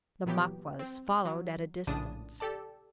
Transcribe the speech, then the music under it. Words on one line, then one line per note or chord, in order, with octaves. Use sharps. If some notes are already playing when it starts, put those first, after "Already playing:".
The Maquas followed at a distance.
A#2 E3 F#3 B3 G4
C4
F#3
A#1 A2 C#3 D4 A5 D#6
G4 A4 D5 A5